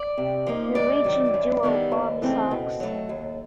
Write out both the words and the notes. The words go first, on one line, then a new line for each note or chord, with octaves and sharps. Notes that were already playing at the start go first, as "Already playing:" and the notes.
Norwegian duo Bobbysocks!
Already playing: D5
C3
F3 A#3 D#4
G#2 D5
D#3 F#3
F#2
D#3 G3 B3 E4
D#2
C#3 E3 A3 C4
B2
F#3 A3
D#2